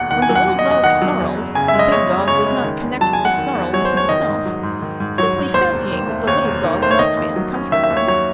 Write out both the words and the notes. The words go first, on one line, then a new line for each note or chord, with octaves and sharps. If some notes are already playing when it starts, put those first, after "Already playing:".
When the little dog snarls, the big dog does not connect the snarl with himself, simply fancying that the little dog must be uncomfortable.
Already playing: E1 D#2 F#5
D#3 F#5
G#5
F#3
F#5
D#2
D#5
E1
D#5
D#3 F#5
F#3
E2
F#1
C#3 G#5
E5
G#3
D#5
E2 C#5
F#1
C#3 C#5
G#3
D#3
E2
F#3 A5
G#5
E2
F#5
D#3
E2
F#3 C#5
C5
E2
C#5
D#3 D#5
G#2
F#3
G#2
D#3
G#2
F#3 C#5
G#2
D#2 C5
E1
D#3
A3
D#2 C#5
E1
D#3
A3 C5
C#5
D#3 D#5
D#2
F#3
C#4
D#3 E5
E5
D#2
C#5
F#3 C#5